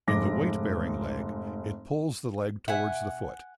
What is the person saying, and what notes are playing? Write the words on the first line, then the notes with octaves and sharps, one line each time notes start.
In the weight-bearing leg, it pulls the leg towards the foot.
F1 G#2 D6 A#6
B2 E5 F#5 G#5